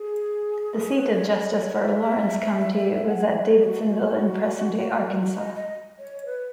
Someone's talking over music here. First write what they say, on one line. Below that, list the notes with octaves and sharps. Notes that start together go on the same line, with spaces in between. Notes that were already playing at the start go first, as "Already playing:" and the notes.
The seat of justice for Lawrence County was at Davidsonville in present-day Arkansas.
Already playing: G#4
B4
C#5
D#5
C#5
F#5
E5
F#5
E5
C#5
G#4
F#4
F#4
F#4
D#5
D#5
C#5
B4